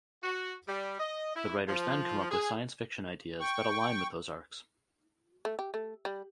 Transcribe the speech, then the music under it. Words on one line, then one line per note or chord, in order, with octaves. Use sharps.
The writers then come up with science fiction ideas that align with those arcs.
F#4
G3
D#5
E4
F3
G#4
G5 C#6
A3
G4
A3
G3